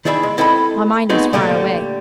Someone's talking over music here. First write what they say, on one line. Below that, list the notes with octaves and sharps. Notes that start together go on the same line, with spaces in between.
My mind was far away.
D#3 E4 G#4 D5 E5 B5
G#3
C4 E4 A4 D#5 A5 B5
A3 B3 C4 D#4 F#4 G#4
A#2 D3 G3 A3